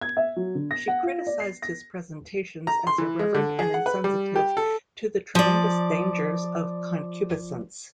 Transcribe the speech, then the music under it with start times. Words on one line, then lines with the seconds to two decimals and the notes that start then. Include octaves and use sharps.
She criticized his presentations as irreverent and insensitive to the "tremendous dangers" of concupiscence.
0.01 G#6
0.17 E5
0.36 F#3
0.55 D3
0.71 A#6
0.88 F#5
1.03 F4
1.27 D5
1.40 C7
1.62 A#6
2.67 A#5
2.87 C6
2.98 E3
3.19 G#3
3.34 D3
3.59 G#4
3.74 F#5
3.86 B4
4.04 G3
4.36 G4
4.57 A4
5.35 F3 D5